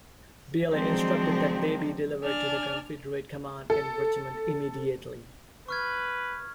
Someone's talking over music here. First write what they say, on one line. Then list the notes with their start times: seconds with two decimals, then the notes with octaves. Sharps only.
Beale instructed that they be delivered to the Confederate command in Richmond immediately.
0.69 D#3 F3 F#3 G#3 C4 D4
2.24 D4 G#5 F6
3.70 A4
5.68 B4 C#6 F6 G#6